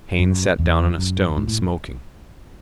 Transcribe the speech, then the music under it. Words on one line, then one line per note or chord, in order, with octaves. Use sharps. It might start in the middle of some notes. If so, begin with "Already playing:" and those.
Haines sat down on a stone, smoking.
F#2
E2
F#2
G#2
A2